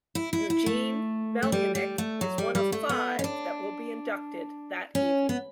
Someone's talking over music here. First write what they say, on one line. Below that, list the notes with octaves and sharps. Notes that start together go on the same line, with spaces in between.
Eugene Melynk is one of five that will be inducted that evening.
E4
E4
E4
A3
A3
G3
G3
A3
F#3
G3
G3
A3
B3
C#4
D4
C#4
B3